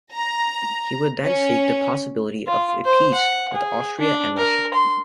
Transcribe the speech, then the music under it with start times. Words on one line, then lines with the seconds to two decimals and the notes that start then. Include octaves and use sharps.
He would then seek the possibility of a peace with Austria and Russia.
0.13 A#5
1.25 C#4
2.47 F4
2.85 C5
3.14 F#5
3.54 G#4
4.00 D4
4.37 A#4
4.74 C6